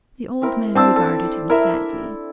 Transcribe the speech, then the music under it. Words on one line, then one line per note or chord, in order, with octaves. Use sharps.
The old man regarded him sadly.
C4 E4 A#4
C4 D4 A5 E6
A4
E4 A#4 E5